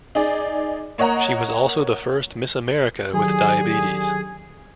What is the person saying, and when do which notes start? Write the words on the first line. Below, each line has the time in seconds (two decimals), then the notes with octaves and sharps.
She was also the first Miss America with diabetes.
0.15 D#4 G#4 D5
0.98 A#3 C#5 D#5 F#5 A#5
3.14 D3 D#3 F#3 G4 G#4 G#5